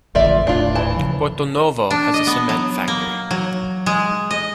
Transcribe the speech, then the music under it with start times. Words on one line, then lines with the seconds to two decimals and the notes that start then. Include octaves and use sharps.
Porto-Novo has a cement factory.
0.15 A1 F2 D3 F4 D5 E5
0.47 D#1 A2 D4 F4
0.75 E3 A5
0.96 C#3 F3
1.91 D4
2.14 D#5
2.27 B3
2.49 F#3
2.88 A#3
3.31 F#3
3.86 G#3
4.31 D#5